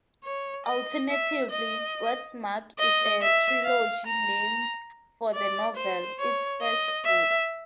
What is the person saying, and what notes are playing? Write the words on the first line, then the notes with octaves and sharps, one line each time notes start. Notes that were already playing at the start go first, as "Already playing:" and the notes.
Alternatively, "Westmark" is a trilogy named for the novel, its first book.
C#5
D#5
E5
D#5
D#5
E5
F5
A#5
D5
C5
C#5
D#5
E5